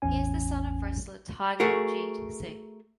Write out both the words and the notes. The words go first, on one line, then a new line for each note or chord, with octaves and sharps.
He is the son of wrestler Tiger Jeet Singh.
A1 E2 C#4 G#5
A3 F#4 G#4 A#4